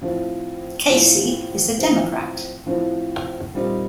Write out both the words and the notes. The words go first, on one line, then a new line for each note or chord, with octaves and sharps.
Casey is a Democrat.
A2 F3 C4
A2 F3 C4
A2 F3 C4
A2 F3 C4
A#2 G3 C4 D#4